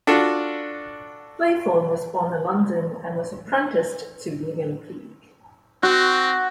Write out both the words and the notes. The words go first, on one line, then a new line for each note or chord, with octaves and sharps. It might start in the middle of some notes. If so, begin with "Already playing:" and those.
Faithorne was born in London and was apprenticed to William Peake.
D4 F4 F#4 A4
C4 F#4